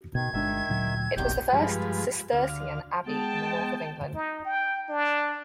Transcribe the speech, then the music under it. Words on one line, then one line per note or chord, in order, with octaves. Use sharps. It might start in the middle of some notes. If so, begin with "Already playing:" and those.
It was the first Cistercian abbey in the north of England.
B2 D#3 G#6
G1 D#3 G#3 D4 E5
D2 A#2 F#3
F1 B1 E2 C3 D#3 G6
G2 F3 G#3 B4
D2 F5
G#3 B3 G5 A5
D#4
G5
D4